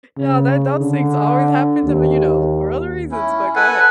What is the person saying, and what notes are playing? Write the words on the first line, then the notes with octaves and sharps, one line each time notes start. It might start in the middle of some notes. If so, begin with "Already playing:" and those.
Yeah, that those things always happen to me, you know, for other reasons, but go ahead.
C#3
D3
D#2
C#4 E4
A4 B4 F#5 G#5